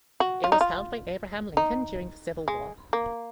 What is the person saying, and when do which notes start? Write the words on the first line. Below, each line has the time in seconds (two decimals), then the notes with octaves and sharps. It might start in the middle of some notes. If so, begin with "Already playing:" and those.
It was held by Abraham Lincoln during the Civil War.
0.20 F#4
0.44 F4
0.52 D#4
0.61 F4
1.57 D#4
2.48 G#3
2.93 A#3